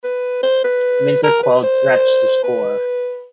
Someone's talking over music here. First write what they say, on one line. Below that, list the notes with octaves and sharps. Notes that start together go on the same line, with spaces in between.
Minter quelled threats to score.
B4
C5
B4
A#4
B4
C5
B4